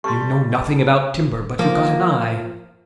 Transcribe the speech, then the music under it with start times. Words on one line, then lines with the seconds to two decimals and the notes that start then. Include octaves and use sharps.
You know nothing about timber, but you've got an eye.
0.04 G3 G4 A4 C6 C#6
1.59 F3 A#3